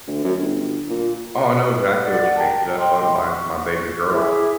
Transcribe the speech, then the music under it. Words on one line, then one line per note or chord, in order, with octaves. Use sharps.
Oh, I know exactly what you mean, 'cause that's what my my baby girl,
D2
F#2
G1
A#2
B4
F#4 D5 F#5
A#4 G5 A5 A#5
D#5 G5 C6
C#6
E4 G#4 E5 D6